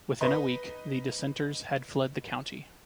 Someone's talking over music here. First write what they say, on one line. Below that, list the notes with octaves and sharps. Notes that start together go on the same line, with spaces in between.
Within a week the dissenters had fled the county.
D#4 B4 D#5